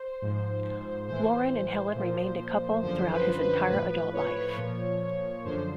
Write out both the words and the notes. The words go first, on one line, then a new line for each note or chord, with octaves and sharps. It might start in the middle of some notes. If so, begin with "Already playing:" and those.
Warren and Helen remained a couple throughout his entire adult life.
Already playing: C5
G#2 F3
A2 E3 C5
A#2 F3
F#2 D3 F3 C5
B4
B4
A2 F3 B4
B4
C#5
C#5
A#2 F3
F#2 D3 F3 C5